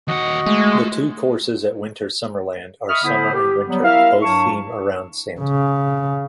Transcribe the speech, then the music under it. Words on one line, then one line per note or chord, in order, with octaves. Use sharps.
The two courses at Winter Summerland are Summer and Winter both theme around Santa.
D#2 F#4 D#5 F#5
G#3 A3
D#5 E5 B5 C#6 D#6 F6
D3 B3 E4 C5 B5 D#6
G4
F#3 G3 B3
E4 A#4 E5 F5
G2 F#3 E4 A5 C#6
C#3